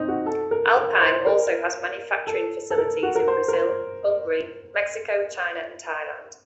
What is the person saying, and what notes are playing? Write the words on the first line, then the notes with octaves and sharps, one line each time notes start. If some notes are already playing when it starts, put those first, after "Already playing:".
Alpine also has manufacturing facilities in Brazil, Hungary, Mexico, China, and Thailand.
Already playing: C4 D#4
F#4
A4
A#4
A#4
C5
A#4
A4
A4
A#4
F#4
A#4
C5
A#4
C5